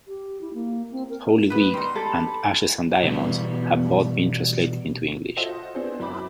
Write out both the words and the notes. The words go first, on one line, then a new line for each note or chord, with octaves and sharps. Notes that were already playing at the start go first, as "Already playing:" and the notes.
"Holy Week" and "Ashes and Diamonds" have both been translated into English.
G4
E4
A#3
C4
A#4
A3 B3 B4
G3 D#4 C6
G4 A4 B5
B2 E3 G3 B3
F4 F#4 A4 C5 D#5 E5
B3 C4 D4 E4 G#4 C5
F#2 E4 B5 D6